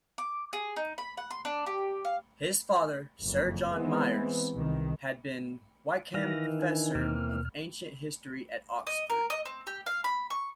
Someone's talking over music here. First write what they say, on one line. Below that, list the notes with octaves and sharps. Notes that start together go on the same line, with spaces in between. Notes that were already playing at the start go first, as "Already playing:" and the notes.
His father Sir John Myres had been Wykeham Professor of Ancient History at Oxford.
D6
G#4
D#4
B5
F#5
C6
D4
G4
F5
F#1 F2
E3 G#3 B3 C4
C2 D#3
D#3 E3 F5 A#6
D4 G#5
D#2 B2 E3 A#3 C4 F6
D#5
A#4
D#5
C4
G4
F5
B5
C#6